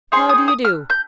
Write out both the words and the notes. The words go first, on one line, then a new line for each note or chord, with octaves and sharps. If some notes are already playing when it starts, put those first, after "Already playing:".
How do you do?
C4 D#4 G#4 C6
D#6
D#6
F6
G6